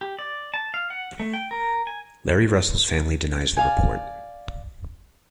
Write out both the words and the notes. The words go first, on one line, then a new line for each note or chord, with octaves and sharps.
Larry Russell's family denies the report.
G4
D5
A5
F5
F#5
A3
G5
A#4
G#5
D5 F5 G#5